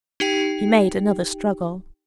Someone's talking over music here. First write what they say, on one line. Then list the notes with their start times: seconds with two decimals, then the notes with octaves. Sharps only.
He made another struggle.
0.20 D#4 G4 G5